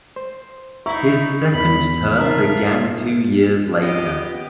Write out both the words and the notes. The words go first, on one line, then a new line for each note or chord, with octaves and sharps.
His second term began two years later.
C5
D#4 E4 E5 A#5 C#6
E2 B5
D#4 F4 A#4 E5 A5
B3 C#4 D#4 F4 G4 D#5 G5